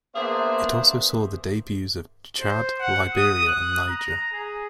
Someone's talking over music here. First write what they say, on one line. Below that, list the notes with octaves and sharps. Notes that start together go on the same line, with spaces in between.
It also saw the debuts of Chad, Liberia and Niger.
A#3 B3 D4 G#4 C5 E5
C5
F#5
D#6
F#6
A#5
G#4